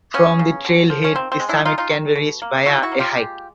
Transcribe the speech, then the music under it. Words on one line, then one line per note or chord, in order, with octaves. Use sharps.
From the trailhead, the summit can be reached via a hike.
C#3 B3 C#4
C#3
D3
F3
C#4
D#3 C4
C4
G#3
D4 E4
G#3 D#4 F4
D#4 F4
D#3
B2
A#3
D#3 E4 F#4
E4 F#4
A#3
F4 G4
G#3